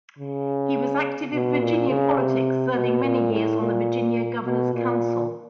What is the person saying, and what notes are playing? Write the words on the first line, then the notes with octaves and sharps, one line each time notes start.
He was active in Virginia politics, serving many years on the Virginia Governor's Council.
C#3
B2
A#2
C#3
C3
B2
A#2
A2
A#2
B2
A#2